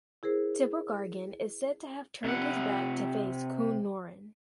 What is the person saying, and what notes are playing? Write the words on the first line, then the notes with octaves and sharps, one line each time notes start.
Tibrogargan is said to have turned his back to face Coonowrin.
E4 G#4 A#4 C5
C3 F#5